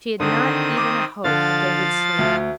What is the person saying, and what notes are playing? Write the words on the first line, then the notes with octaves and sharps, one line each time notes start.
She had not even a hope that they would sleep.
D3 D#3 C4 D#6
D6
D3 F3 F5 A6
D2